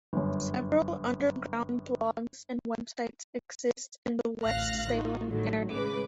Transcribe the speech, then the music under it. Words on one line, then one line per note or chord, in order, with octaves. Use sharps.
Several underground blogs and websites exist in the West Salem area.
G1 F#2
A1 D2 F5 F6 F#6 A#6
D#4 F4 F#4
A2 D3 D#3 F#3 G3 A3
A2 C#3 G#3 B4 D6